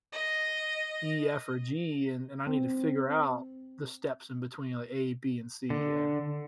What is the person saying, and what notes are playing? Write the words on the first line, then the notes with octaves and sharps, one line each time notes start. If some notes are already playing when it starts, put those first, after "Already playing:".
E, F or G and and I need to figure out the steps in between, like, A, B and C, yeah.
D#5
C4
D3